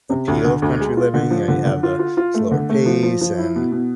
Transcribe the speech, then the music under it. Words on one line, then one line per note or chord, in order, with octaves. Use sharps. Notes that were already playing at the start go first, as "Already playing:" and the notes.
appeal of country living, you know you have the slower pace and,
C3
D2
D3
D2
G#3
F4
D3
F3
D3
D3
F4
F4
F4
A3
D3
A3
F3
F3
F3
E4
B2
B2